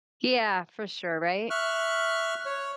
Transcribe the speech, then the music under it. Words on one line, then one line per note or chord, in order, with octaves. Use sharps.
Yeah, for sure, right?
E5 C#6 F6 F#6
C#5